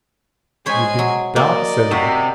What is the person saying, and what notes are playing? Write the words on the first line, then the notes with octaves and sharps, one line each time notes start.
"You been down cellar?"
G#3 C5 C#5 G#5 B5
F#3
A#3 D5 D#5
C3 F#4